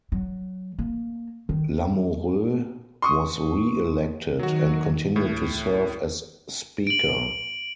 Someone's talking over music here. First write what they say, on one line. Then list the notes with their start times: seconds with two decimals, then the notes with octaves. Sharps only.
Lamoureux was re-elected and continued to serve as Speaker.
0.12 F#3
0.79 A#3
1.49 D#3
3.02 C6 C#6 D#6
4.39 D#3 F#3 F#4
5.16 C#2 A2
6.87 D7 F#7